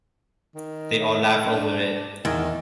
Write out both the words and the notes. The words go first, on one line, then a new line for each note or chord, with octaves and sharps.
They all laugh over it.
D#3
D4
E2 D#3